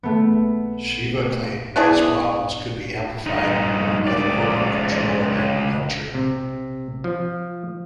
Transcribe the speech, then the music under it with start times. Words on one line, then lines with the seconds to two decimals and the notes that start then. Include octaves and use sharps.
Shiva claimed these problems could be amplified by the corporate control of agriculture.
0.03 A3 B3
1.76 B3 D4 E4 G#4
3.27 G2 D#4
4.07 C#2 D5
6.15 C3
7.04 F3